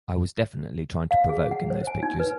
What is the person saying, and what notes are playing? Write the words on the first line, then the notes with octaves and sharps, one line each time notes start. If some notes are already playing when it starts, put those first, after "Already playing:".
I was definitely trying to provoke in those pictures.
F5
G#4
F#5
C5
G#5
D#4
B4